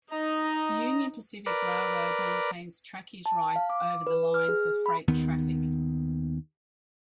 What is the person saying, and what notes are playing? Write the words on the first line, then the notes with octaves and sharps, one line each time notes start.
The Union Pacific Railroad maintains trackage rights over the line for freight traffic.
D#4 D#5 A#5
A#4 B4 D5
A5
F5
D6
B4
F6
G#4
B5
D#2 D#3 B3